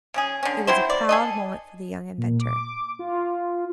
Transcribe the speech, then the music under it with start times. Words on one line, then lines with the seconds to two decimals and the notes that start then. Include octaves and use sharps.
It was a proud moment for the young inventor.
0.14 C#3 C#4 G#4
0.43 D3 C#4
0.67 F#3 C4 E4 C5
0.90 D5
1.09 G#4 A4 D#5
2.18 A#2
2.40 D6
2.99 F4